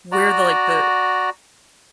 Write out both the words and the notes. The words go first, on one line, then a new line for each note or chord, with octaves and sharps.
where the, like, the
F#4 D5 A#5